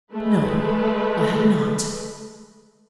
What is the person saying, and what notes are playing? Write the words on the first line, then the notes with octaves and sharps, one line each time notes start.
No, I had not.
G#3 A3 B4